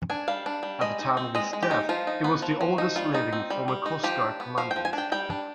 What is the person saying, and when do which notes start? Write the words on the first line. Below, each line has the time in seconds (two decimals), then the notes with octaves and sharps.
At the time of his death, he was the oldest-living former Coast Guard Commandant.
0.10 D4 G#5
0.28 G3 F5
0.46 D4
0.63 G3
0.81 G#3 D#5
0.99 D#4
1.17 C4
1.35 G#3 D#5
1.53 G#3
1.63 G4
1.71 D#4
1.89 F3 F4
2.07 D#4
2.24 B3
2.42 F3
2.61 F3
2.78 D#4
2.96 G3 F4
3.14 D#4
3.33 C4
3.50 G3
3.68 G3
3.86 D#4
4.04 F3 G4
4.21 D4
4.40 B3
4.58 F3 F5
4.71 G5
4.76 F3
4.85 G#5
4.93 D4 G5
5.12 G3 G5
5.30 D4